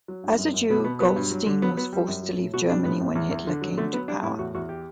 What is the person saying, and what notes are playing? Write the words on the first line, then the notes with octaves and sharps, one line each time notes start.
As a Jew, Goldstein was forced to leave Germany when Hitler came to power.
F#3
G2
F#2
F#2
B2 B3
B2 B3
F#3 B3
G2
F#3
D3
F#3 B3
F#3 B3
G3
F#2
F#3
A2
B2 F#4
G3 D4
A2 B3
A2
E2
E2
D3
F#3
D3 A3
F#3 B3
G3 D4
A2 E4
E2 F#4
E2 F#4
G4